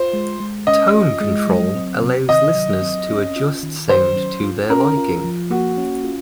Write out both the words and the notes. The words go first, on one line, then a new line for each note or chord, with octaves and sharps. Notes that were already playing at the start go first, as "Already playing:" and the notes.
Tone control allows listeners to adjust sound to their liking.
Already playing: F4 C5
G#3
G#3
C#4 D#5
F4
G#3
F#3
C4
C3
D#3 D#5
F#3
C4
C#4
F4
D#3
F#3 C5
C#4
F4
C#4 A#4
F4
F3
A#3 F#4
C#4
F4